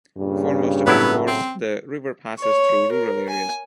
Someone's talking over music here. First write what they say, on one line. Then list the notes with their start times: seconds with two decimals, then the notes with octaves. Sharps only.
For most of its course, the river passes through rural areas.
0.18 G2 A#2 C#3
0.87 A2 F#3 B3 E4
1.28 C4
2.40 C#5
2.93 A#4
3.29 G#5